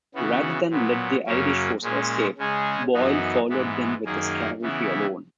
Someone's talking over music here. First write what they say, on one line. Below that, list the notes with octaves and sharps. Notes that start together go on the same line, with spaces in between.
Rather than let the Irish force escape, Boyle followed them with his cavalry alone.
C#3 E3 B3 F#4
A#2 F#3 B3
F#2 C#3 F#3 A#3 C#4
A#2 G#3 C#4
C#3 G#3 C#4 G#4
F#2 E3 B3 D#4 F#4
G#2 E3 B3
F#2 D#3 A#3 D#4 G#4
C#3 E3 B3 E4